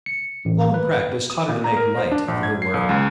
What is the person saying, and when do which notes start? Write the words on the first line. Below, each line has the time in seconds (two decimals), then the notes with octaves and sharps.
Long practice taught her to make light of her work.
0.06 C#7
0.45 A1
0.74 B4
1.30 D#6
1.48 A#2
1.64 A#5
1.77 A#4
1.97 C5
2.11 D4
2.28 A#1
2.43 G#6
2.62 C7
2.74 B1
2.89 C#2